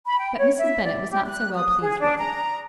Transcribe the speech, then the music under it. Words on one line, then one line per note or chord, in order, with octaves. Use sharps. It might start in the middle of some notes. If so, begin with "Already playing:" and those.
But Mrs. Bennet was not so well pleased with it.
B5
G5
C#5
E5
D5
G4
F#6
D#6
G#4
D4
A#5